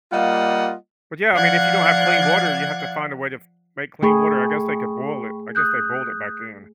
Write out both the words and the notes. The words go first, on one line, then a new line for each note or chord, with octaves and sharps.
But, yeah, I mean, if you don't have clean water, you have to find a way to f make clean water. I guess they could boil it. I guess they boiled it back then.
G3 A#3 F4 D#5 F5 F#5
F3 D5 F5 F#5 F#6 G#6
A3 G#4 G5 B5 C#6
D#6 F#6 G6